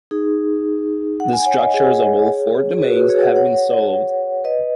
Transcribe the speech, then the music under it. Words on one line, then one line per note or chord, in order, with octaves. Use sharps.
The structures of all four domains have been solved.
D#4 G#4
F#5
G#5
C#5 F#5
D#5
G#4 C#5
G#4
F#4 B4
F#4 B4
G#4 C#5
C#5 F#5
C#5 F#5
B4 D#5